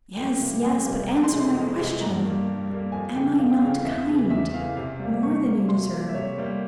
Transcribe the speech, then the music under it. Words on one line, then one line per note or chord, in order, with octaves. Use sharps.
"Yes, yes; but answer my question; am I not kind--more than you deserve?"
F2 G5
C3 G3 A#3
F2 G#5
C3 G3 A#3
F2 A#5
C6
C3 E3 G#3
C6
F2
C3 E3 G#3
G2 A#5
G3 A#3
G2
G3 A#3
F2 G#5
C#3 E3 G5
F2 F5
G5
C#3 E3 F5
E2 E5
C#3 E3
E2 E5
C#3 E3 F5
C3 F5
G3
A#3
C3 C#6
G3 A#3
C3 C6
G3 A#3
E5
C3 C#5
G3 A#3